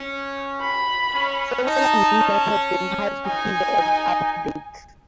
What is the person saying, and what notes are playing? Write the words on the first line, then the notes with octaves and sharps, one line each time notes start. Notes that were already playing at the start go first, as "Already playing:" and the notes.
Several amendments have been passed to keep the Act up to date.
Already playing: C#4
B5
C#4
D#4 A5
C#4
D#4 G#5
D#4